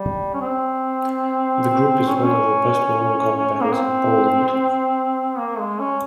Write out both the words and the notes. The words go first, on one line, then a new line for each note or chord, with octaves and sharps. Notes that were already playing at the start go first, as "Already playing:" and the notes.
The group is one of the best known girl bands in Poland.
Already playing: G3
C#4
C4
C#4
C4
C#4
A#3
C4
A#3
G#3
C#4